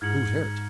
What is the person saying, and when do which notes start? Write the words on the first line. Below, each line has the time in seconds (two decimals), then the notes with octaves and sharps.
"Who's hurt?"
0.01 G#2 F6 G#6 C#7 F#7